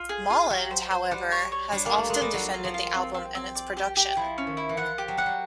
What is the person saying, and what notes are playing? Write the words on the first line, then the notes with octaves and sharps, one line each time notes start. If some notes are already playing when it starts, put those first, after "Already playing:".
Molland, however, has often defended the album and its production.
Already playing: F4
G#4
F4
F#3 G4
C5
C5
G3 F#5
C#5
C#5
G3 D4
A#3
A3 A#4
G#3 D4
G3
F#3 F4
F4
F3
F4
C4
C4
C4
D5
G4
G4
F3 E4
C#4
D#3
E4
E3
F3 F#5
G4
F#3
G3 F#5
F#3